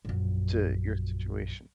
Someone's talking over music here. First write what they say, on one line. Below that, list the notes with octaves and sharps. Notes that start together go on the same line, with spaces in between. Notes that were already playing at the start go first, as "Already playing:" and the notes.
to your situation.
A#1 F#2